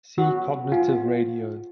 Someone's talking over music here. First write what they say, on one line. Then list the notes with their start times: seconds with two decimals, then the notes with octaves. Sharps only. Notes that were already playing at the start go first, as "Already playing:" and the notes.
See cognitive radio.
0.18 F#4
0.72 F4